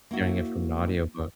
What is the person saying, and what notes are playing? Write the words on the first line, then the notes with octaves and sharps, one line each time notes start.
hearing it from an audiobook.
A#3 E4 F#4